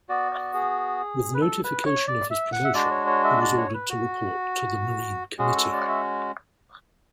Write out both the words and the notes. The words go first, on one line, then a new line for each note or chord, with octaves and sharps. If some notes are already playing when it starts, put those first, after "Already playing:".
With notification of his promotion he was ordered to report to the Marine Committee.
B3 F#4 D5
D5
G#4
B4
A4
B4
C#5
D5
E5
F#5
E5
G#3 D4 F#4 D5
C#5
C#5
E5
D5
C#5
B4
F#4
G#3 C#4 F#4 G#4
A4
D5
E5